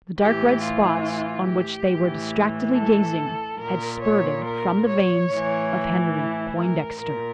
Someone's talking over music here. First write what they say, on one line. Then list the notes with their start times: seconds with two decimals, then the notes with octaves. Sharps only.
The dark red spots on which they were distractedly gazing had spurted from the veins of Henry Poindexter.
0.19 A2 E3 G4
0.62 F4
1.47 G4
1.90 A2 E3
2.74 A4
3.59 A#2 A#4
4.02 C#5
4.44 A#4
4.86 C#5
5.29 A2 E3
6.14 E4
6.57 A#4
6.99 A#2 A#4